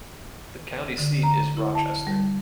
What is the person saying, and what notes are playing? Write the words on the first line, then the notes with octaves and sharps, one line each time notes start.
The county seat is Rochester.
D3
A#5
E4
A5
G3